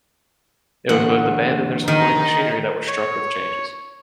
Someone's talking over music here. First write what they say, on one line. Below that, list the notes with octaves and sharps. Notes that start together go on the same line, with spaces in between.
It was both the band and their supporting machinery that were struck with changes.
D3 E3 A#3 F#5
D#3 D#4
C#5